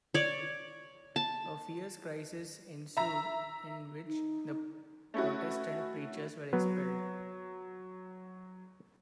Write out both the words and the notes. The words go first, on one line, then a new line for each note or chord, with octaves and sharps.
A fierce crisis ensued in which the Protestant preachers were expelled.
C#5 D5
A5
E5 A#5
D#4
A3 C#4 E4 F#4
F#3 B3